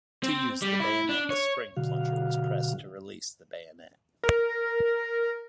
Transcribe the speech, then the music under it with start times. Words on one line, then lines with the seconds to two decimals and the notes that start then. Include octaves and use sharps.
To use the bayonet, a spring plunger was pressed to release the bayonet.
0.23 C4
0.62 G3
0.80 E4
1.09 D4
1.30 C#5
1.77 B2 D3 F#3 F#4 F5
4.23 A#4